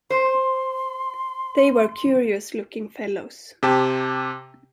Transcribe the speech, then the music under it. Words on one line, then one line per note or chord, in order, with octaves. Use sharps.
They were curious-looking fellows.
C5 C6
C3 G4 A5